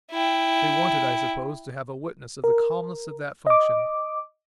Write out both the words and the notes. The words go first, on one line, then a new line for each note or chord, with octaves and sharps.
They wanted, I suppose, to have a witness of the calmness of that function.
E4 G5
A#4
D#5 D6